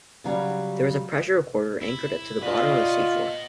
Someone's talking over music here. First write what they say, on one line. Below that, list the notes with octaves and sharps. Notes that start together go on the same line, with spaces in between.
There is a pressure recorder anchored to the bottom of the sea floor.
C#3 F#3 G3
E4
F4 B4 D5 D#5